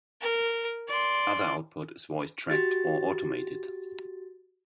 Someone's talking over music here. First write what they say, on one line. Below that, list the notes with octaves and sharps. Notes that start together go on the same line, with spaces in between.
Other output is voicetracked or automated.
A#4
D5 C6
F#4 G4 A6